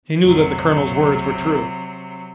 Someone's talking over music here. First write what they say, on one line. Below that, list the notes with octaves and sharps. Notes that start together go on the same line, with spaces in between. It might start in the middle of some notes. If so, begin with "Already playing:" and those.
He knew that the colonel's words were true.
F1 B1 C3 F#3